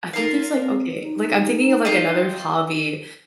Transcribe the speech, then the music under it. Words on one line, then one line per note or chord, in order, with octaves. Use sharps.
I think there's, like, okay, like, I'm thinking of, like, another hobby,
D#4 F4 A#4 F5
C4
D#4
F4 D#5 G5